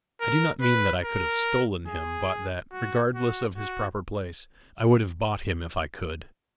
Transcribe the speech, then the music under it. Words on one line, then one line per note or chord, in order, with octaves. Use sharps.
I do not mean that I could have stolen him, but that, regardless of his proper place, I would have bought him if I could.
A#4
B4
A#4
G#4
F#4
F#4
F#4